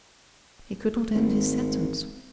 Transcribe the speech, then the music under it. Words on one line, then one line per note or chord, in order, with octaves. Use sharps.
He could not end his sentence.
G#1